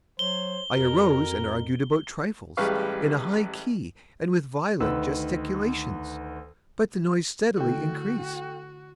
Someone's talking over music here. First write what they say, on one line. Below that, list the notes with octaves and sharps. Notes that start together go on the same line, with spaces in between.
I arose and argued about trifles, in a high key and with violent gesticulations; but the noise steadily increased.
F#3 C5 C#5 G7
F2 F#4 A#4
A1 G3 G#3 B4 F5 C#6
D2 D#3 B4 E6
D3 A3 E4 F#4 A4 G5